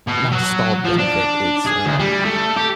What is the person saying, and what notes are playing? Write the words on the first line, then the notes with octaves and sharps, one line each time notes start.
not stalled benefit. It's, uh
B2
F#3
F3
D4
G#4
D2
G3
A3
G4